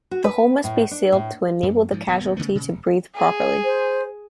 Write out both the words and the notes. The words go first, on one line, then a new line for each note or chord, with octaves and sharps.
The hole must be sealed to enable the casualty to breathe properly.
F#4
B4
A2
D4
A2
F#2
G#2 F3
D#1 F#2 B3
C#3 F#3 A3 B3
A#2 C#3
F1
G#4
C5